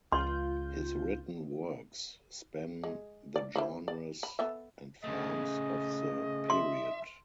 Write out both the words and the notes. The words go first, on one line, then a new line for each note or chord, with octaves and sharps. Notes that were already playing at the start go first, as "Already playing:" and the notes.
His written works span the genres and forms of the period.
C#2 F4 C6 G6
G#3
D5
E4 C5 B5
D5
B5
B3 A4 E5
C#3 A3 D#5
E5 C6